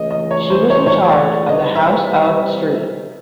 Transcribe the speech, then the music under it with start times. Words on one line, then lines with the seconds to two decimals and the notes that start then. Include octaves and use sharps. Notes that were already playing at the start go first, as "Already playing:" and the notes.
She was in charge of the house of St.
Already playing: C#2 C#3 E3 A3 D#5
0.11 D#5
0.31 C#5
0.50 C5
0.70 C#5
0.78 C5
0.86 C#5
1.10 D5
1.49 C3 E3 G3 D#5
1.75 E5